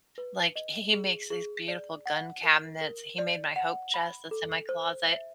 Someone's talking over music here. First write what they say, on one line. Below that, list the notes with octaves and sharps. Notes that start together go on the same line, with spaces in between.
like, he he makes these beautiful gun cabinets, he made my hope chest that's in my closet.
B4
D#5
G#4
G#4
D5
F#5
A#4
A#4
D5
F#5
B5
A4
C5
E5